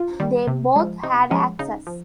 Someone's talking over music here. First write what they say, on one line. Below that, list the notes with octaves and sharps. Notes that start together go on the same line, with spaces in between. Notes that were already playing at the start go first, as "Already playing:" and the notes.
They both had access.
Already playing: F4
D#3 G3
C3
F3 G#3
C3 D#4
F3 G#3 C#4
C#3 D#4
F3